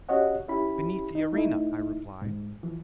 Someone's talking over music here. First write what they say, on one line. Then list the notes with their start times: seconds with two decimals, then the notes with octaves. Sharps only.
"Beneath the arena," I replied.
0.09 C#4 F#4 G4 C#5 D#5 F#5
0.48 C#4 E4 G4 B5
1.15 D#4
1.33 A3 D#4 E4
2.22 G#2
2.63 E3 F3